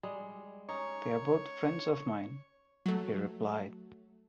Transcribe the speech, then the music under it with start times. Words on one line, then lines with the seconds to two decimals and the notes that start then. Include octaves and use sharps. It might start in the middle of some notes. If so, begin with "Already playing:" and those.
"They are both friends of mine," he replied.
0.03 G3 G#3 G#4
0.69 C#4 D#4 C#5
2.86 F#3 A3